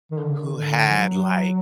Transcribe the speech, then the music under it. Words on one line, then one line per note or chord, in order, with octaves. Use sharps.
who had, like,
D#3
D3
C#3
D3
D#3
D3
F#3